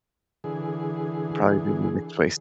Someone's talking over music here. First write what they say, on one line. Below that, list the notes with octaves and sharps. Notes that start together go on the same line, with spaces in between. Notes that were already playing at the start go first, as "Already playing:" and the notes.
Probably be my next place.
D3 E3 G#4